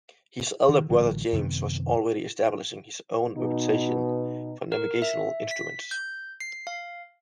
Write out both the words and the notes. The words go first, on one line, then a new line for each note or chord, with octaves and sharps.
His elder brother James was already establishing his own reputation for navigational instruments.
D#3
A1 D3 F#3
F#2 C3 D#3 B3
B2 D#4
A#4
E5
B6
G6
C7
F5